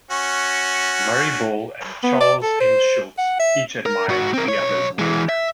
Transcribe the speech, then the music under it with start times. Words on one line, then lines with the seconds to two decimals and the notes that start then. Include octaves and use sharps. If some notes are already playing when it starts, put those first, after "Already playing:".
Murray Ball and Charles M. Schulz each admired the other's work.
0.11 C#4 F#4
2.03 B3
2.20 D5
2.43 A4
2.60 C5
3.18 F#5
3.39 E5
3.86 A#4
4.09 G#2 F#4
4.34 C4 A#4
4.48 B1 C#5
4.99 E3 G#3
5.29 E5